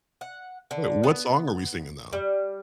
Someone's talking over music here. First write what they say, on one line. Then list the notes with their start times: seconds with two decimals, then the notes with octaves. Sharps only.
Wait, what song are we singing, though?
0.21 F#5
0.71 D3
1.03 B3
2.13 G3